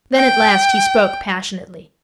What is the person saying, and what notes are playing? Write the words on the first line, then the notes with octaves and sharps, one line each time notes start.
Then at last he spoke passionately.
G5